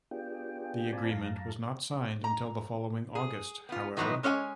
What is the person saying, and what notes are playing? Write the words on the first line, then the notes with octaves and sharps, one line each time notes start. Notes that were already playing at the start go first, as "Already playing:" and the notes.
The agreement was not signed until the following August, however.
B3 D4 F4 G4 G#4 G5
C4 F4 D5 G#5 A5 B5
F#2 F5 A5 A#5
A#5
G#4
B3 F4
D#3 E3 F#3 G#3 B3
G#3 C#4 C#5 D#5 G#5